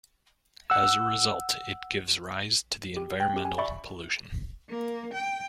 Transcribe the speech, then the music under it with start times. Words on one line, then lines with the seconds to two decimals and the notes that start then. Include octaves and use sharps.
As a result, it gives rise to the environmental pollution.
0.70 F#5 E6
2.97 G4
3.20 G5 F#6
3.33 C#4 G4
3.45 G#5
3.58 D5 E5 B5 C#6
4.70 A#3
5.14 G5